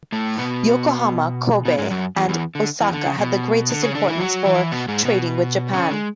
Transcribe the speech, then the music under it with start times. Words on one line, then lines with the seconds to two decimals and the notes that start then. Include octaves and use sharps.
Yokohama, Kobe and Osaka had the greatest importance for trading with Japan.
0.12 A2 A3
0.38 B2 B3
1.65 B2 B3
1.78 G#2 G#3
1.91 F#2 F#3
2.16 E2 E3
2.29 E2 E3
2.55 D3
2.80 E2 E3
2.93 D3
3.06 C#3
3.19 B2
3.70 D3
3.82 C#3 C#4
3.95 D3 D4
4.08 E3 E4
4.20 F#3 F#4
4.45 E3 E4
4.71 B2 B3
4.88 G#2 G#3
5.05 B2 B3
5.73 C#3 C#4
5.91 G#3